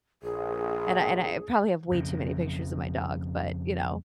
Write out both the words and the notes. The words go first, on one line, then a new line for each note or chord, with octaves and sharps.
and I and I probably have way too many pictures of my dog, but, you know,
A#1 G#4
F2 C#3